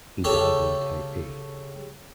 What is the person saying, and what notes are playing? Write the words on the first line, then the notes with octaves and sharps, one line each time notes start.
He died in Taipei.
C#3 G4 A4 C#5